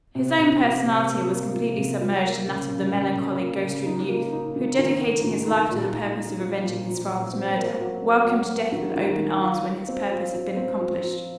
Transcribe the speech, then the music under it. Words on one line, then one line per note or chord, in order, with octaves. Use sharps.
His own personality was completely submerged in that of the melancholy ghost-ridden youth, who, dedicating his life to the purpose of avenging his father's murder, welcomed death with open arms when his purpose had been accomplished.
C3
C3
F3
C3
A#3
A#3
F3
C3
F3
A#3
C#3
C#3
C#3
C#3
A#3
C#3
D#4
A#3
D#4
D#3
D#3
A#3
D#3
D#4
A#2
D#4
D#4
F3
A#2
F3
A#2
C4
A#3
F#3
A#3
F#3
A#3
D#3
D#3
D#4
F4
F4
C4
F4
F4
C4
F3
F3